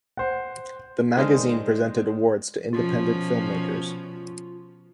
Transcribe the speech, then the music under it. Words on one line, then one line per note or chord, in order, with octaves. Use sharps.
The magazine presented awards to Independent film makers.
C5 F#5
D#3 G#3 D4 C5 D#5 F6
B2 F3 C#4 F4